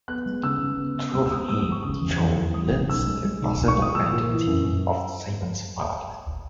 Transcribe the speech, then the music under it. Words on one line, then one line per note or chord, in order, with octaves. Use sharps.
Through him, Joe learns the possible identity of Simon's father.
B3 F#6
G#3
C#3 E6
C#3
B3
C#3
G#3 E6
E6
B3 D#6
G#3 E6
D#6
G#3
C#6
C#3 D#6
E2
E2
E2
G#3 D#6
C#3
B1 E6
G#3
G#3
B1
B1
C#6
G#3 D#6
A#2 E6
A#2
E3
F#2
F#2